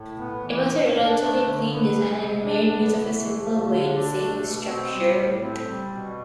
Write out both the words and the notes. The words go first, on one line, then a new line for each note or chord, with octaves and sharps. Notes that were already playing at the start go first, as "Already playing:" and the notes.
It was a relatively clean design and made use of a simple, weight-saving structure.
Already playing: A2
B3
E3
A2
D4
A3
D3
B3
G3
C3
D4
B3
E3
A3
F3
D3
D4
A3
B2
C4
G3
A2
C4
G3
B2